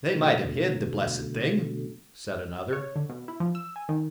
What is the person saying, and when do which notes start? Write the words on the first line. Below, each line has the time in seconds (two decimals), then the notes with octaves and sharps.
"They might have hid the blessed thing," said another.
0.14 B2 D3 F#3 A3
2.73 C#5
2.96 D3
3.09 B2
3.28 E4
3.40 F3
3.55 E6
3.76 G#5
3.89 D#3